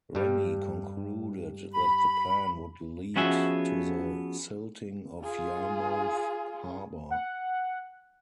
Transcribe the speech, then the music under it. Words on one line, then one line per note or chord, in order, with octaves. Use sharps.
Rennie concluded that the plan would lead to the silting of Yarmouth harbour.
G2 G3
B5
F3 B3 C#4 F#4 G#4 E5
F4 G#4
F#5